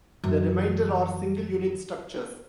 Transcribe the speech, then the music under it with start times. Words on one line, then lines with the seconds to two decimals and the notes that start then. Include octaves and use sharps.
The remainder are single-unit structures.
0.24 F#2 E3